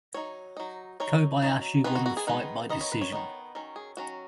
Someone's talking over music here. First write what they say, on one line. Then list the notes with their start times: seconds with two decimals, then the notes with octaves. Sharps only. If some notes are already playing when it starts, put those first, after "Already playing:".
Kobayashi won the fight by decision.
0.14 F#3 D#4 C#5
0.57 F#3 D#4
1.00 F#3 D#4 C#5
1.42 F#3 D#4
1.84 D#3 G#3 B3 D#4 B4
1.95 F#4
2.06 F#4
2.17 G#4
2.27 D#3 G#3 B3 D#4 B4
2.69 D#3 B3 D#4 D#5
2.81 C#5
2.92 B4
3.01 C#5
3.12 D#3 B3 D#4
3.55 D#3 F#3 C#4
3.76 G#4
3.97 D#3 F#3 C#4 F#4